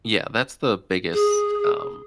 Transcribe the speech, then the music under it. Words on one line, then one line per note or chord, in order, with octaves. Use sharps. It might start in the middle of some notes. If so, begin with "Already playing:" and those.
Yeah, that's the biggest, um
G#4